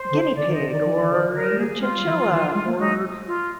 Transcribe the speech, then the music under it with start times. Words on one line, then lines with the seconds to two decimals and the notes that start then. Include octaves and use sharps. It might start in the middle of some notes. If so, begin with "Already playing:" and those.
guinea pig, or a chinchilla, or
Already playing: C5
0.11 D3
0.36 D3 D5
0.47 D#3
0.52 D#5
0.59 D3
0.68 D#3 D5
0.84 F3
1.01 D#3
1.09 D3
1.16 D#3
1.32 D3 A#4
1.51 G#3
1.57 A#3 G#4
1.76 A#3
1.81 G#3 F4
1.97 G3
2.05 D#3
2.13 F3
2.30 D#3
2.41 F3
2.53 G#3
2.66 A#3
2.77 G#3 D#4
3.26 F4